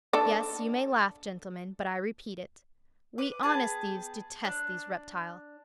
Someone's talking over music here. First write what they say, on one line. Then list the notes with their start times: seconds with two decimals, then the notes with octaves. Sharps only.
Yes, you may laugh, gentlemen, but I repeat it: we honest thieves detest these reptiles.
0.13 D4 A4 D5
3.18 B4 D6
3.43 B3 G4 G#4 A5
4.44 D4